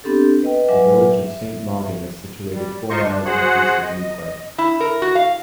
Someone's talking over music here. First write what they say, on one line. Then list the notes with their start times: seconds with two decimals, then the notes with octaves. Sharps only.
The village of Saint Mawgan is situated four miles northeast of Newquay.
0.04 B3 C4 D4 G4 A4
0.42 B4 D#5 G5
0.68 F#3 B4 E5 F#5 G#5 D6
1.25 E5
2.53 G3
2.90 D#4 F4 C5 D#5 C6 C#6
3.03 D4
3.25 F#4 G#4 C5 F#5
3.82 D#5
4.58 E4
4.80 A#4
5.02 F#4
5.15 F5